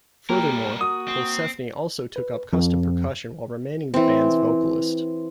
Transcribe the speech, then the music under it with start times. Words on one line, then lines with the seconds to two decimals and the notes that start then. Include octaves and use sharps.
Furthermore, Colsefni also took up custom percussion while remaining the band's vocalist.
0.30 G3 A#3 G4 A#4
0.81 F#4 D#6
1.08 C4
2.16 B4
2.53 F2
3.94 E3 C4